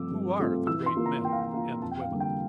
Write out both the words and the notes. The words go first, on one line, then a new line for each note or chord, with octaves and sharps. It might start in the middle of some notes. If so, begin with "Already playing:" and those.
Who are the great men and women?
Already playing: G2 F3 A3 C4 F4 D6 E6
G2
F3 A3 C4 F4
E3 E6
C6
A#3 F4
A#5
E3 G5
F5
G5
A#3 F4 F5
F2 A5
G5
F5
D3 G3 A#3
G5